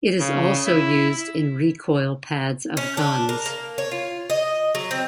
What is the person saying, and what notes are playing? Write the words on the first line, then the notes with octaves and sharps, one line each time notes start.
It is also used in recoil pads of guns.
C#3
E4
C#4
D4
A#4
A#3
C#5
F4
D#5
F#3
C4